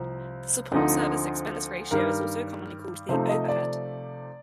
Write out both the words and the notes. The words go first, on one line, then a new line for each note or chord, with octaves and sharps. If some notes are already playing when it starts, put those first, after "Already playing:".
The support service expense ratio is also commonly called the "overhead".
Already playing: C2 C3 F3 C4 C5
D2 D3 F3 C4 D#4
G2 D#3 G3 A#4
C3 F3 A3 D#4 C5
D#5
D5